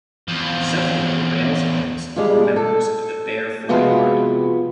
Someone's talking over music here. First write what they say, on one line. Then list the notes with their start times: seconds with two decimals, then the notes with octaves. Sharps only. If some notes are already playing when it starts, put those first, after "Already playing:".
Several of Bale's acquaintances were members of the Bear Flag Party.
0.28 E2 F3
2.16 F2 G3 G#3 D4 F4
2.56 A4
3.69 C3 F3 G#3 B3 F4 F#4